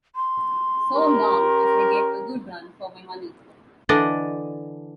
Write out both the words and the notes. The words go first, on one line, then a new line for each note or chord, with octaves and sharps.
So long as I get a good run for my money!
C6
C#4 G4 A#4
D3 E3 D4 D5 D#5